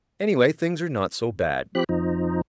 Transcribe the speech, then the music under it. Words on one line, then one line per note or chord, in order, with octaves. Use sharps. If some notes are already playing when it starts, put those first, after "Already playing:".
Anyway, things are not so bad.
F3 C4 G4 B5 F#6
F2 F3 D#4